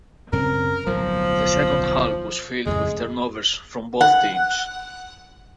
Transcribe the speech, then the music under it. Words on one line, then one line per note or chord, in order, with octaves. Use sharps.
The second half was filled with turnovers from both teams.
F#2 C#3 C4 A#4
D1 B1 F3 F#3
F2 A2 C#3 G#3
F#5